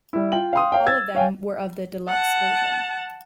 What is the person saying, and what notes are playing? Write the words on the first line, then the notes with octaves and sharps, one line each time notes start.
All of them were of the Deluxe version.
G3 E4
F4 G5 F#7
F5 G5 C6 D#6
C#5 F5 G5
E6 G#6 A6
C#5 F5 G5 G#5
F#5 A5